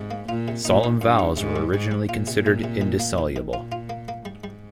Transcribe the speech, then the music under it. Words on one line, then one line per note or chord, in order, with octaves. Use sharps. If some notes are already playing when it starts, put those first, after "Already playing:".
Solemn vows were originally considered indissoluble.
Already playing: G#2 C3
A#3
A#2 F4
C3
A#2 D#4
D#4
G2 A#2
D#4
G#2 C3
G3
G#2 G3
G3
A#2 F4
C3
C3
C3
D#3
A#3
D#3
D#3
A#2 F4
F4
A#3
A#3
G#2 G3
G3